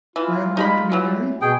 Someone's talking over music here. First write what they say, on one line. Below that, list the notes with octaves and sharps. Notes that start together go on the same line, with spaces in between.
"Where I am going to be married?"
E3 F4
D#4 A#5 B5
E3 F#3
B2 G#4 G5